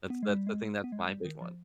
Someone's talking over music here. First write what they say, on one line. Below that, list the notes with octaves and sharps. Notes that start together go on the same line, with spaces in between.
That's that's I think that's my big one.
B3
G#3
G3
G#3
B3
G#3
G3
D#3
F3